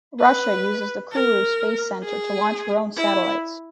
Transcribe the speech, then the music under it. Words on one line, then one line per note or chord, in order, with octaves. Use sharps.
Russia uses the Kourou space center to launch her own satellites.
B4
A#4
G#4
E4